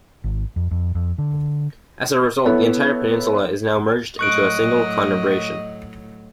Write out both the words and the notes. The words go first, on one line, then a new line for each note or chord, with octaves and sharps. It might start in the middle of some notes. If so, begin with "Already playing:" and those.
As a result, the entire peninsula is now merged into a single conurbation.
G#1
F2
F2
F2
D3
B3 E4 A4 C#5
A2 F#3 D#5 C#6 F#6 D7